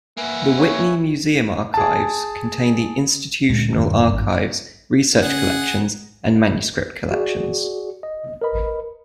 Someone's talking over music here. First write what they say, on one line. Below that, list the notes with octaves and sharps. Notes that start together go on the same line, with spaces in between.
The Whitney Museum Archives contain the Institutional Archives, Research Collections, and Manuscript Collections.
A#3 F#4 B4 E5 G#5
C#5
G#4 A5
D2 A#2 G#3
E1 G2 D#3
G#1 G2
C#3 G#4 F#5
F#4 G#4 D5
D#5
A#4 B4 D#5 B5